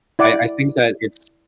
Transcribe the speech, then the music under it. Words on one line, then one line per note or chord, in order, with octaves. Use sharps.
I I think that it's
E4 D5 F#5 D6